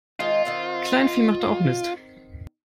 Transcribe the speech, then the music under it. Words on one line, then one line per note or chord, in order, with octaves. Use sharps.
Kleinvieh macht auch Mist.
D#3 G#3 C4 F4
D#3 C4 F#5